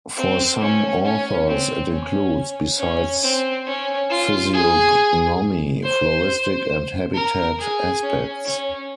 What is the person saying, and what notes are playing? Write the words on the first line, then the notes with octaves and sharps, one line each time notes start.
For some authors, it includes, besides physiognomy, floristic and habitat aspects.
C4
C#4
C#4
C4
C#4
C#4
C4
C#4
F4
G#4
C5
A#4
G#4
C#4
C#4